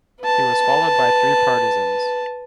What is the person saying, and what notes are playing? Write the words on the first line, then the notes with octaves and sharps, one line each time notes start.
He was followed by three partisans.
B4 A5